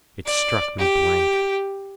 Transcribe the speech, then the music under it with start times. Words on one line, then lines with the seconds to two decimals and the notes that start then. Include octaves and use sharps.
It struck me blank.
0.26 D5
0.79 G4